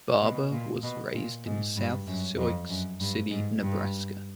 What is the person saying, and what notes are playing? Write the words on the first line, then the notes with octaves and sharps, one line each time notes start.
Barber was raised in South Sioux City, Nebraska.
B2
A#2
B2
A#2
G#2
G2
F#2
F2
F#2
G2
G#2
G2